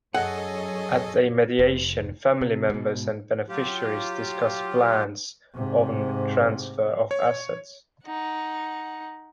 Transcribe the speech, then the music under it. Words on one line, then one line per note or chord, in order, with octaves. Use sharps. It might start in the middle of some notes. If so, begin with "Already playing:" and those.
At a mediation, family members and beneficiaries discuss plans on transfer of assets.
F#2 G#4 A4 C#5 D#5 F#5
F1
C3
G#2 B2
F#3 F4 G4
G#2 C3
C#5
D#4 F#5